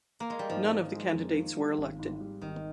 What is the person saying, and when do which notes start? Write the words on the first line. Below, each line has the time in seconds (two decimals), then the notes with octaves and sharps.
None of the candidates were elected.
0.20 A#3
0.30 G#3
0.39 G3
0.49 G#2 F3
0.71 D#3
0.93 G#3
1.14 F2
1.35 D#3
1.56 G3
1.78 G#1
1.99 G#2
2.20 G3
2.41 G#1 D#3